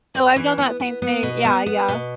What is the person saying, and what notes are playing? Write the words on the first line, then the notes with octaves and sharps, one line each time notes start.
Oh, I've done that same thing. Yeah. Yeah
E2
E3
B3
B3
B3
B2
B3
B3
B2